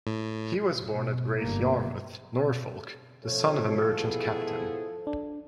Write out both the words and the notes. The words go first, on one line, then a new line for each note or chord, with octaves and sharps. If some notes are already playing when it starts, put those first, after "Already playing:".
He was born at Great Yarmouth, Norfolk, the son of a merchant captain.
A2
B2
G1 A#3
F3 A3 C4 A4 C#5
B3 E4 G#4
D4